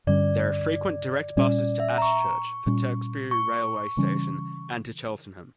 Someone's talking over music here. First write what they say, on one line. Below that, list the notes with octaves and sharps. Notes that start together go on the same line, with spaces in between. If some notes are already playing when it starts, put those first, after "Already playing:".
There are frequent direct buses to Ashchurch for Tewkesbury railway station and to Cheltenham.
G2 D3 G3 C#4 D5
A#2 G3 C#4 D5
D5
E5
A#5
C#6
A#2 G3 C#4
C#6
C#3 E3 G3 C#4